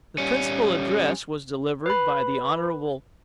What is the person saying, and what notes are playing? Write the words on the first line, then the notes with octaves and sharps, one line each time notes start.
The principal address was delivered by the Hon.
G3 C#4
B4 B5